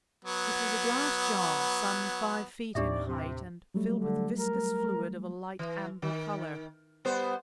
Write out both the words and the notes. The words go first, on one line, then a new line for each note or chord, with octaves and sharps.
It was a glass jar, some five feet in height and filled with viscous fluid of a light amber color.
F#3 B3
D#2 A2 C4 D4 D#4 G4 D5 E5
C3
F#3 G3 A3
D3
A#4
E3
D#3
G3 B3 C5